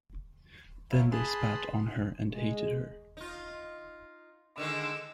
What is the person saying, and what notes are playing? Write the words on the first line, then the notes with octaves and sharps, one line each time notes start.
Then they spat on her and hated her.
F#3 E4 F4
G#4 B4 A5 B5 C6
G#3
D#4 F4
D3 D#3 G#3 E6